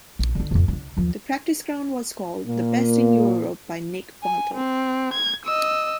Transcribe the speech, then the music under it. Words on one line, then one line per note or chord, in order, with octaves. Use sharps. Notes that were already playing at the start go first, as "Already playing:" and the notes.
The practice ground was called the best in Europe by Nick Faldo.
A#1
D3 D#4
F2 A2
C#2 D4
D#2 F3
A#2 A#3
G#5
C4
G#6
D#5 E6